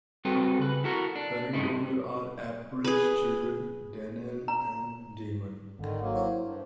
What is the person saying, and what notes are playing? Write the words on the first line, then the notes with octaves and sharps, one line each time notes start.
Current owners are April's children Danielle and Damon.
G3 C4 F#4 A4 B4
C#3 B4
E4 F#4 A4 A#4
D4
G2 C3 A3 D#4 E4
G#4 B4
A#5
G#1 D3 D#3
F#3 A#3
E4 C5 C#5
G2